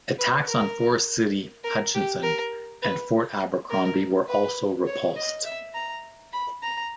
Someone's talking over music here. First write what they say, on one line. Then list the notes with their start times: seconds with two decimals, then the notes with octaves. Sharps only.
Attacks on Forest City, Hutchinson, and Fort Abercrombie were also repulsed.
0.19 B4
0.48 A#4
1.64 A#4
1.94 G4
2.23 A#4
2.82 B4
3.70 A#4
4.28 B4
4.87 C#5
5.16 D#5
5.45 E5
5.74 A#5
6.33 B5
6.63 A#5